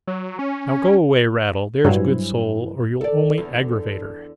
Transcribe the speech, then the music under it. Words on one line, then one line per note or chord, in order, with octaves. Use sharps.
Now go away, Raddle, there's a good soul, or you'll only aggravate her.'
F#3
C#4
G2 E3 F#3 E4 C5
A4 D5
E2 D3